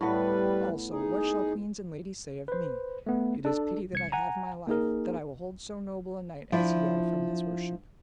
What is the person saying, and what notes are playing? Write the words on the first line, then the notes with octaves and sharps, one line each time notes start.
Also what shall queens and ladies say of me? It is pity that I have my life, that I will hold so noble a knight as ye are from his worship.
A2 G3 B3 B4
D#4 G#4
B4 C5
A3 B3
D4 A4
C2 G#6 C#7
F#5 G#5 A#5
A#3 D#4 G#4 A#4
F3 D4 E4 F4